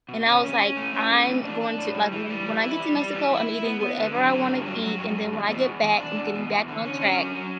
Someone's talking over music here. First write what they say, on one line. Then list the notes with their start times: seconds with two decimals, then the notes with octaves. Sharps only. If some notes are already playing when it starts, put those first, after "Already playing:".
and I was like, "I'm going to, like, when I get to Mexico, I'm eating whatever I wanna eat, and then when I get back, I'm getting back on track."
0.09 B2
0.26 C#4
0.44 C#4
0.60 C#4
0.77 A3
0.94 C#4
1.11 A3
1.27 E3
1.44 D4
1.61 D4
1.78 A2
1.95 G3
2.12 E3
2.29 G3
2.46 E3
2.62 E4
2.79 G3
2.96 G3
3.13 E3
3.31 E4
3.47 E4
3.64 B3
3.80 B3
3.97 D3
4.14 F#3
4.31 D3
4.48 G2
4.65 F#3
4.82 F#3
4.98 G2
5.15 G2
5.33 E2
5.49 B2
5.67 E2
5.83 E2
6.00 D4
6.16 E2
6.34 B2
6.51 E2
6.68 D3
6.85 C#4
7.01 C#4
7.18 F#3
7.35 F#3